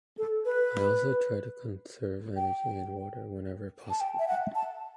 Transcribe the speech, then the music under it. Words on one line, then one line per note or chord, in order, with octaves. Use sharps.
I also try to conserve energy and water whenever possible.
A4
B4
G5
A5
G5
E5
F#5
A5